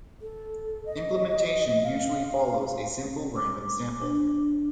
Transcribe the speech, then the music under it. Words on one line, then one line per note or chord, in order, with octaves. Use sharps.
Implementation usually follows a simple random sample.
A4
D#5
F5
D6
D4